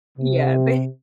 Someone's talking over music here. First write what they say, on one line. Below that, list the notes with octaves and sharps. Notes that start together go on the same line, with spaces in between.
yeah, they
C3